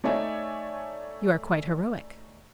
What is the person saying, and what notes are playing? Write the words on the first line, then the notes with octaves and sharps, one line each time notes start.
"You are quite heroic."
A3 D#4 C#5 D5 E5 G#5